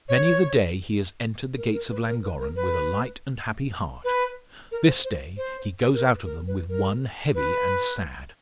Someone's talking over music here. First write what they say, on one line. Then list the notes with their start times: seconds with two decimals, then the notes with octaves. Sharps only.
Many the day he has entered the gates of Llangorren with a light and happy heart--this day he goes out of them with one heavy and sad.
0.09 C#5
1.58 A#4
1.73 A#4
1.91 B4
2.07 A#4
2.24 B4
2.40 A#4
2.56 B4
4.04 B4
4.72 A#4
4.87 C5
5.04 C5
5.37 C5
5.93 A#4
6.03 B4
6.25 A#4
6.48 B4
6.69 A#4
7.35 B4